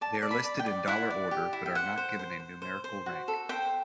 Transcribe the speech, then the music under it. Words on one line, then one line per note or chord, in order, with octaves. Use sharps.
They are listed in dollar order, but are not given a numerical rank.
D5 A5
D5
B5
D5
G5
D5
E4 F#5
D5
G4
E4
G5
C5 F#5
C5
C5
C5
C5
C5
F#4
A4
C5 G5